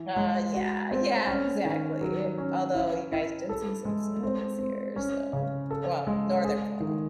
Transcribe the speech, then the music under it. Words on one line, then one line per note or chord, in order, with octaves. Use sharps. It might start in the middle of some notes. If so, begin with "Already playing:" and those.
Uh, yeah, yeah, exactly, although you guys did see some snow this year, so well, Northern Florida.
Already playing: E3
G#3
F#4
C4
C#4
D#3
F#3
C#4
E4
E4
A4
G#3
C4
C4
C#4
C#3
A4
G#3
G#4
D#3